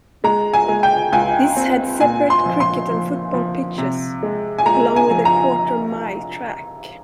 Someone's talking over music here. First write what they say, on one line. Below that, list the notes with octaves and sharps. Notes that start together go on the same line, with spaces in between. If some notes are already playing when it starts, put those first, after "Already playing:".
This had separate Cricket and Football pitches along with a quarter mile track.
G#3 A#5
G#5
G#3
G5
C#2 G#5
C4
A#2 G#5
C6
F3
C6
F3
F3
C3
G#3
G#5
G#3 A#5
G#5
F3
A#5